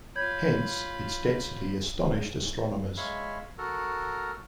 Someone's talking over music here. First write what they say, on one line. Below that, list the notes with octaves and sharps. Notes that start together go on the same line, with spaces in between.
Hence, its density astonished astronomers.
F4 C#5 B5 G6 G#6
G#3 C#5 E5 F5 B5
F#4 A4 A#4